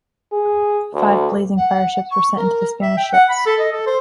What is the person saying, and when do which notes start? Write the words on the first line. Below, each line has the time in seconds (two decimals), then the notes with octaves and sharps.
Five blazing fireships were sent into the Spanish ships.
0.32 G#4
0.94 D2
1.57 F#5
2.11 C#6
2.36 A#4
2.82 E5
2.97 G5
3.14 F#5
3.30 B5
3.46 A4
3.60 D#5
3.72 A4
3.87 C5